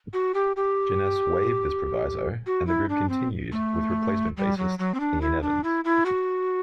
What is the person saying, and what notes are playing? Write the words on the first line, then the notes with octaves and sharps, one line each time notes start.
Jenness waived this proviso, and the group continued with replacement bassist Ean Evans.
F#4
G4
G4
F#4
E4
D4
C4
A3
G3
F#3
F#3
C4
D4
E4
D4
E4
E4
F#4